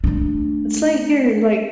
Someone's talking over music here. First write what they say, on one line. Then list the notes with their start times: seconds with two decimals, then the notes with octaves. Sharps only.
It's like you're like
0.04 A3 D4